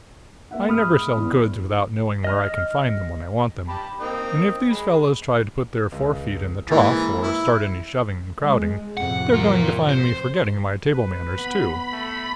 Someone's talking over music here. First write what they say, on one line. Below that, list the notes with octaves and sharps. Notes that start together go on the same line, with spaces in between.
I never sell goods without knowing where I can find them when I want them, and if these fellows try to put their forefeet in the trough, or start any shoving and crowding, they're going to find me forgetting my table manners, too.
A#3 E5 F#5
G#2 G#3 B5 D#6 F6
E2
D#5 F6
G4 A5 B5
A#3 C4 D#4
G#3 B5
C#2
G#2 E3 A#3 A6
E4
G#3
F2 A2 C3 F#5
F4 A#4
C5
B4
B3 B5
A3